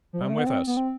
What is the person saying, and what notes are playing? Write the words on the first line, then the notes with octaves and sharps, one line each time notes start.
"Come with us!"
F3
G3
A3
B3
C4
B3
C4